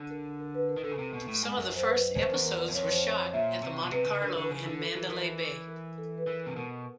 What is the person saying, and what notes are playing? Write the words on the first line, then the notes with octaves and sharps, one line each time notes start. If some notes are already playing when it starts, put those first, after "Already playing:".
Some of the first episodes were shot at the Monte Carlo and Mandalay Bay.
Already playing: D3
A#4
A#4
B4
A#4
D#3
D3 A4
C#3
C3
B2
A2
G#2
F#2 A#4
C5
B4
E2 C5
F2
A#4
E2
A#4
D5
E2
F2 C#5
C5
C#5
A#2 E5
C3
B2
C3 B4
C#3
D3 A#4
D3
C#3
D3
A4
E3
E3 A#4
A#4
A4
B4
E3 A#4
C3
B2 A#4